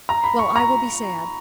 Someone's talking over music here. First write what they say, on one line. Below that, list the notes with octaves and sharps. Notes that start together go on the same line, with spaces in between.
"Well, I will be sad."
A#5
B5
C#6
A#5